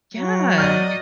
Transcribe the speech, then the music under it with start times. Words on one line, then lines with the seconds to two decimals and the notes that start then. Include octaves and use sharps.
Yeah, you're
0.14 F#3
0.58 D5 D#5 F6 G6 A6